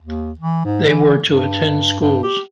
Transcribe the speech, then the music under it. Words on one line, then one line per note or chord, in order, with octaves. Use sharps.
They were to attend schools.
D#2
E3
G#2
E3
G2
G2
G4